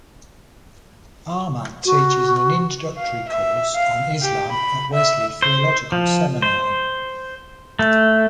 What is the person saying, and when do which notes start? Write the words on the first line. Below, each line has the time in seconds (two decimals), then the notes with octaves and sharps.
Ahmad teaches an introductory course on Islam at Wesley Theological Seminary.
1.86 F#4
2.97 F5
3.29 E5
3.75 F5
4.22 G4
4.52 B5
4.93 E5
5.42 C5
5.92 F3
6.42 C5
7.79 A3